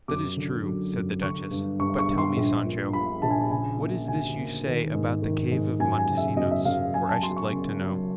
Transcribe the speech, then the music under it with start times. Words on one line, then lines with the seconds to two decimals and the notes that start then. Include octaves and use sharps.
"That is true," said the duchess; "but tell me, Sancho, what is this you say about the cave of Montesinos, for I should like to know."
0.08 F#2 D6
0.37 D3
0.65 F#3
0.94 F#2
1.22 D3 C#6
1.51 G2
1.80 G2 C#6
1.99 C#6
2.08 G2
2.18 C6
2.37 A#1
2.65 A#2
2.93 F3 B5
3.22 A#1 A5
3.30 G#5
3.39 A5
3.51 C#3 G#5
3.80 A#3
4.08 D2 G#5
4.37 A#3
4.66 D#3
4.94 G#2
5.22 D#3
5.51 G#2
5.79 F#2 G#5
5.98 G#5
6.09 C#3
6.17 E5
6.37 F#2 D#5
6.51 E5
6.65 F#2 F5
6.94 F#3 G#5
7.09 A5
7.22 F#3 C6
7.37 C#6
7.51 C#3
7.80 F#3